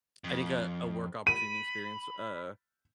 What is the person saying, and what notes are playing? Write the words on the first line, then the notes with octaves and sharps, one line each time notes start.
I think a a work opportunity experience w uh,
F2
B5 D#7